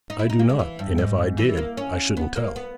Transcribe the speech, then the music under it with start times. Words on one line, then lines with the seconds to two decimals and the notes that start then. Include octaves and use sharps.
'I do not; and if I did I shouldn't tell.'
0.10 D#4
0.19 E4
0.30 D#4
0.39 A#3
0.49 G#3
0.59 E3
0.79 G2
0.98 G#2
1.38 E3
1.57 A#3
1.77 C#4
2.17 B3
2.36 A#3
2.56 B3